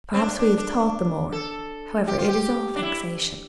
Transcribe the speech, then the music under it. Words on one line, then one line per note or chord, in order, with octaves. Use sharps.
Perhaps we have thought the more. However, it is all vexation.
C4
D4
D4
D4
A4
G4
F4
G4
D4
E4